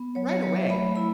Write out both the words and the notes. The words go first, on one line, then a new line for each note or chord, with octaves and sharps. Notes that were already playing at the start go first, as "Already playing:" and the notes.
"Right away."
Already playing: B3
F#3 C#5
C#5
F#3 C#5
E5
A3 B5
E4 B5